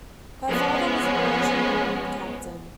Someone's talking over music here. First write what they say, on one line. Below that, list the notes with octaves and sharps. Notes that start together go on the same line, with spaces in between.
Her father was a merchant marine captain.
F3 G#3 B3 C#4